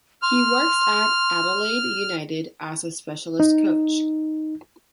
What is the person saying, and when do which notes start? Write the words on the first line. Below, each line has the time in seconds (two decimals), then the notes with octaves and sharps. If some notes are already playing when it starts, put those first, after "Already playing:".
He works at Adelaide United, as the Specialist Coach.
0.22 C6 F6
3.40 D#4